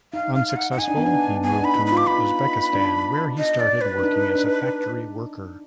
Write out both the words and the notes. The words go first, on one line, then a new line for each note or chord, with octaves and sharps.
Unsuccessful, he moved to Uzbekistan, where he started working as a factory worker.
D#4 F5
F5
F5
F#5
F#5
D#4 G#5
D4
B3
D4
B3 G#5
D#4
D4
B5
D#4
B5
F4
D6
D#4 B5
D4
D#5
D5
B4
D4
D#4
D4